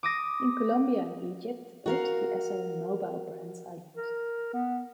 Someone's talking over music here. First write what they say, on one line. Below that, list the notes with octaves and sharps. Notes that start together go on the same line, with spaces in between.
In Colombia and Egypt, both the Esso and Mobil brands are used.
D6 D#6 A#6
F#4 A#4 F5
A#4
B3